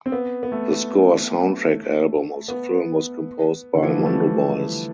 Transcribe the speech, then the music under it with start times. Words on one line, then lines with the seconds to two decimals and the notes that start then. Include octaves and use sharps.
The score soundtrack album of the film was composed by Mondo Boys.
0.06 C4
0.12 B3
0.43 B3
0.52 A3
2.48 B3
3.75 D3
3.83 E3
3.89 F3
3.98 G3
4.05 A3